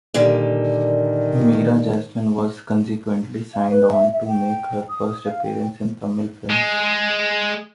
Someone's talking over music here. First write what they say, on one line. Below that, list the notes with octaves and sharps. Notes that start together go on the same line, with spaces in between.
Meera Jasmine was consequently signed on to make her first appearance in Tamil films.
A#2 D3 D#3 G3
F5
B4
E5
E5
G5
D#6
F5
G5
G#3